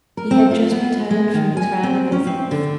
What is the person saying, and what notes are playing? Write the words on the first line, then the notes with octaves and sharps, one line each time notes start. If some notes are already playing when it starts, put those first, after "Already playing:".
He had just returned from his round of visits.
A#4
C4
F4
B3
G#3
D#3
G#5
C4
C#4
C4
D3